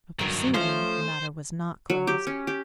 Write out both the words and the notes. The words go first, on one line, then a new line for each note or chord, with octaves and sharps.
But for Susan the matter was not closed.
G2 D#3 F#3 A#4
F3 A3 C#4 C5 C#5
F#3
G4
C#4
G4